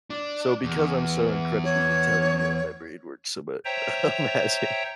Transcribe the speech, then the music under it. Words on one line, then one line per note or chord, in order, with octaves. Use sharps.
So, because I'm so incredibly intelligent, my brain works so but I'm asking
D4
E2
C#5
C5 C#5 E5 G5 A#5